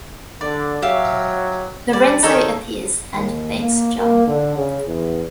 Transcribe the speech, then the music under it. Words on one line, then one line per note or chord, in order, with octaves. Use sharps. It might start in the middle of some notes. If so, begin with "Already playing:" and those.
Lorenzo appears and thanks John.
D3 D5
F#3 G4 E5 F5
G3 D5
D#3 D#4 A4 C#5
D#2
A#3
A#3
D3
C#3
E2